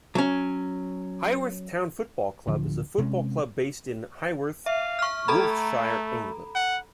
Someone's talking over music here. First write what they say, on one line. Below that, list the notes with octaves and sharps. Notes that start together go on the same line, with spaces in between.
Highworth Town Football Club is a football club based in Highworth, Wiltshire, England.
F#3 C#4
D1 D3 F3
C3 G#3 C4 C#4
E5 F5
C#6 F6
A3 A4 A#5 B5
F#5